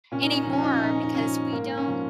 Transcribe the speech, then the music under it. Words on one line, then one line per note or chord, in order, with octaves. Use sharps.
anymore, because we don't
A#2 C#4
D#4
C#4
F3 D#4
C#4
D#4
C#4
A#2 D#4
C#4
D#4
F3 C#4
G#2 A#3
C#4
F3